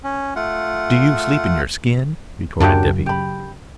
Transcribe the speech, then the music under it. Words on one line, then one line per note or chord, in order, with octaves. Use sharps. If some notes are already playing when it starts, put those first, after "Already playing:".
"Do you sleep in your skin?" retorted Dippy.
C#4
A3 F4 F#5
F#2 C#3 D4 F#4 G4
G4 B5